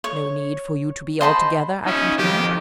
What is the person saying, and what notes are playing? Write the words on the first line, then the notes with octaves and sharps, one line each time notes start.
"No need for you to be, altogether!" I continued.
C#5
C5 D#5 A5 B5
C#4 D#4 E5
F2 D#3 G4